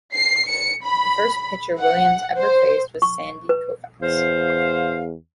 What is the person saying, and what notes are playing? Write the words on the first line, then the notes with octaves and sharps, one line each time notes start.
The first pitcher Williams ever faced was Sandy Koufax.
C7
C#7
B5
F#5
C5
C#6
B4
E2 C5 F5